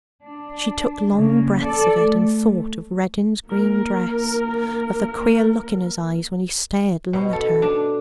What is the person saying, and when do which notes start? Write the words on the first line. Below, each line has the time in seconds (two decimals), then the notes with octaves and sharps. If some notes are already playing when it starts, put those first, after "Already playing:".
She took long breaths of it, and thought of Reddin's green dress, of the queer look in his eyes when he stared long at her.
0.24 D4
1.13 C#3 A#3
1.61 A4 D5
2.02 A3
3.47 A#3 A#4
7.13 B2
7.33 A4
7.62 D4